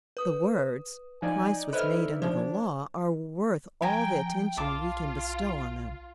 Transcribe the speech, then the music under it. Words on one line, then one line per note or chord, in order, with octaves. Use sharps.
The words, "Christ was made under the law," are worth all the attention we can bestow on them.
B4 D#6
F3 D#4 D5 G#5
A4 B4 C5 D#5 E5 F6
F3 D4 C5
F3 G5 G#5 A#5
B1 F4 A5 D6